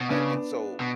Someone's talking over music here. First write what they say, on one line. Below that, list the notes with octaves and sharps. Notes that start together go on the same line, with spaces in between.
I and so,
B2
C#3 B3 D4
B2